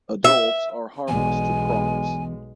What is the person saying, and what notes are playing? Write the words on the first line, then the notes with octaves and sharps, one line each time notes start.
Adults are harmless to crops.
E5
B1 E2 G#3 G#5